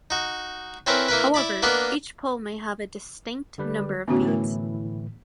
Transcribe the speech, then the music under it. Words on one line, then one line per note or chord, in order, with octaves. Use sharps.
However, each pole may have a distinct number of beads.
D#4 F#4
C4 C#4 E4 A#4 B4
A#3 E4 A#4 B4
E4 D5 B5
A#3 B3 D4 A#4 B4 D#5
D3 G3 B4
A2 D3 E3 B3 C#4 F#4
A3 A#4